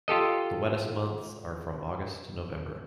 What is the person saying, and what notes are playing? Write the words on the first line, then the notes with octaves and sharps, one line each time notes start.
The wettest months are from August to November.
F4 G4 A4 D#5